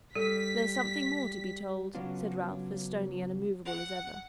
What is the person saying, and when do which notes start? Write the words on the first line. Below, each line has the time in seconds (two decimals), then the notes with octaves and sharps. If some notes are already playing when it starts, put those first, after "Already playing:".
'There's something more to be told,' said Ralph, as stony and immovable as ever.
0.15 G3 A4 B6
1.95 C#3 F#3 B3 C#4 D4 F4
3.66 F#5